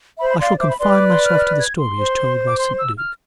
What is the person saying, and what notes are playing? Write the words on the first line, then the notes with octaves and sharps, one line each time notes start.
I shall confine myself to the story as told by St Luke.
C5 E5 B5
B5
D5 F5 C6
C5 E5 D6
B5
B4 D5 C6
D6
C6
F6
F6
G#6
C6
C5
D6
C6
E6
F6